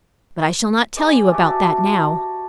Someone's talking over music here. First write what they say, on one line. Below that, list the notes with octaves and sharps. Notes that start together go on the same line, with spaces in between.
But I shall not tell you about that now.
G#4 C5 D5 D#5
F#4 G4 E5 A5